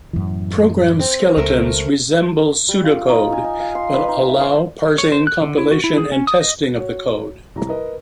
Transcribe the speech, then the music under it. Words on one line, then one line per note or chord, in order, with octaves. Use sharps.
Program skeletons resemble pseudocode, but allow parsing, compilation and testing of the code.
F#2 A2 E3
C4
C#2 F#3 A3 A#4
G3
F4
D#4
G#5
D#4
F5
C6
B4
D#4
E5
C5
C#5
C5
F#6
D3
E4
F#4
E4
G#4
C#4
D#6
D#5
F#4 C#5
C2 A#5
A#4 B4 D#5